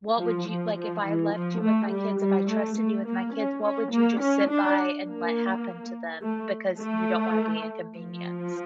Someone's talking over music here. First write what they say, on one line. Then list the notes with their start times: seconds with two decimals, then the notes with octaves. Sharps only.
what would you like, if I left you with my kids, if I trusted you with my kids, what would you just sit by, and let happen to them because you don't want to be inconvenienced?
0.18 F3
0.47 F3
0.75 F3
1.04 E3
1.33 F3
1.61 A3
1.90 G3
2.20 G3
2.48 A3
2.77 A3
3.06 A#3
3.34 C#4
3.63 C#4
3.92 A#3
4.20 C#4
4.50 D4
5.07 A#3
6.22 A3
6.80 A3
7.95 F3